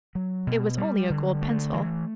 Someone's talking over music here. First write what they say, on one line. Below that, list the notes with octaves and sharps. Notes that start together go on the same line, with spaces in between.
It was only a gold pencil.
F#3
B2
G3
D3
A3
E3